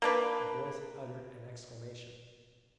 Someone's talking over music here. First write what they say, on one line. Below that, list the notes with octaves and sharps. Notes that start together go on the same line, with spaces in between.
The voice uttered an exclamation.
A#3 D4 B4